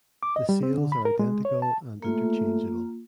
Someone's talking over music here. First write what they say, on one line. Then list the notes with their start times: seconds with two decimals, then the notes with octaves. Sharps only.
The sails are identical and interchangeable.
0.23 D6
0.36 D#5
0.49 G3
0.63 C4
0.78 D3
0.92 B5
1.05 A#4
1.19 G#3
1.45 C#5
1.62 A5
2.02 A3 A#3 F4